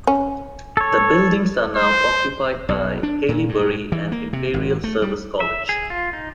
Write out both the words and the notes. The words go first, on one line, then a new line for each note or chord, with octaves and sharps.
The buildings are now occupied by Haileybury and Imperial Service College.
C#4
A4 C#5
C5
B1
D4
A#2
G2
E3
A#3
C3
G#1
A3
G3
E5
G#4
F4
D#4